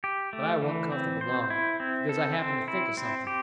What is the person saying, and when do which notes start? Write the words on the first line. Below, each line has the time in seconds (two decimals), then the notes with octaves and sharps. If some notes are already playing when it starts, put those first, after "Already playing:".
But I warn't comfortable long, because I happened to think of something.
0.04 G4
0.33 A3
0.63 E3
0.92 C4
1.21 C5
1.50 E4
1.80 C4
2.09 A4
2.38 C4
2.68 E4
2.97 C4
3.27 G4